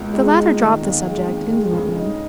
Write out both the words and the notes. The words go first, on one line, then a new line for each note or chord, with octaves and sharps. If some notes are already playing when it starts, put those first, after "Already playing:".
The latter dropped the subject indolently.
Already playing: C#2 B2
G#3
D#4
D#3
D#2
G#3
D#2
G#3
C#3
D#4